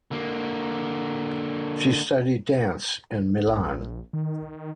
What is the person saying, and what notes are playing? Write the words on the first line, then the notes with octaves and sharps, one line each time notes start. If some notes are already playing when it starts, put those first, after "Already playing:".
She studied dance in Milan.
D3 A#3
A#1
D#3